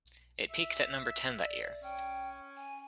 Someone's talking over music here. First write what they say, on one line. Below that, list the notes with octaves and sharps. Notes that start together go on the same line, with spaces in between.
It peaked at number ten that year.
E5
D5
C#4 G5
G#5